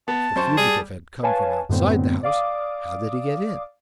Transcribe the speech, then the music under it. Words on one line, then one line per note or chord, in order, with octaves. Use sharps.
If the fugitive had come from outside the house, how did he get in?
B3 A5
F#2 C5 C#6
G3 G#4
B4 C#5 F5 G#5 A5
F#2 A2 D3 A3 B3 C4
D5 F5 D6 D#6